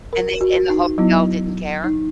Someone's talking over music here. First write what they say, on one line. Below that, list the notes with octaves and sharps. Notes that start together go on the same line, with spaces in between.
And they and the hotel didn't care?
A#4
F#4
D#4
F#3 B3 E4
D#4